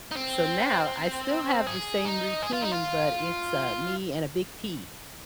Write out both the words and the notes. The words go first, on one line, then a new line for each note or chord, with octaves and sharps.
So now I still have the same routine, but it's, uh, me and a big tea.
D#4
C4
G#4
D#4
G#4
F4
D#4
F4